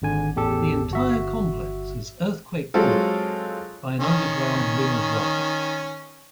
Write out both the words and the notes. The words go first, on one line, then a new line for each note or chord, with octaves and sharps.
The entire complex is earthquake-proofed by an underground ring of rubber.
G#1 D3 G#5
A1 E2 G4 A4
G1 F#4 E5
F#3 G#3 C4 F4 A4
D#3 C#4